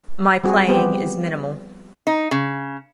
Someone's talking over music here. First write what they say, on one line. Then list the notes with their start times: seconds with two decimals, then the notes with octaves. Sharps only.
My playing is minimal.
0.44 G3 C4 F#4 G#4
0.68 F3 G3 B3 C4 G4
2.07 D#4
2.31 C#3